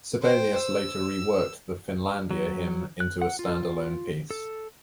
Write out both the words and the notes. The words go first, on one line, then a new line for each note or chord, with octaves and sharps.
Sibelius later reworked the "Finlandia Hymn" into a stand-alone piece.
C5 G5
E6
F#3
F#6
F#5
F4
A4